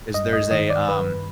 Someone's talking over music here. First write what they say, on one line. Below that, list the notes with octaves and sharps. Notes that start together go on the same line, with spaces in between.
is there's a, um,
G2 D#5
D#5
D#3 D#5
D5
G2 B4